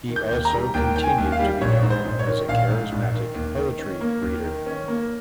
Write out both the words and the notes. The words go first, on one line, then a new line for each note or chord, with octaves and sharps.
He also continued to be known as a charismatic poetry reader.
D#3
G6
D#2
A#5
G3
D#2 G5
D#3 G5
G#5
D#2
F5
G3
A#1 C#5
G#2
C5
A#1
C#5
D#3
A#1 F5
G#2
A#1
D#3
D#2
D#3
C#4
A#3
D#2
D#3
C#4
A#3